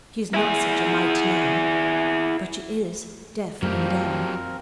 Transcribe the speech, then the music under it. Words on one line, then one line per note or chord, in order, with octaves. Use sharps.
She is not such a mite now, but she is deaf and dumb.
E4 G#4
F#2 F3 F#3 A3 C4 G4 A#4